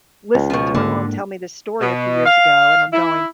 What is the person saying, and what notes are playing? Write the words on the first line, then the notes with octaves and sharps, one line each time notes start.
listening to my mom tell me this story a few years ago, and I'm going
C#2
B2 F3
G#2 D3 A#3
B2
F5
E4